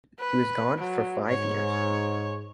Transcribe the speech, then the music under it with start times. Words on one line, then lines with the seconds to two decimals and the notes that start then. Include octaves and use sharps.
He was gone for five years.
0.20 B4
0.78 F#3
1.28 G#2 C#5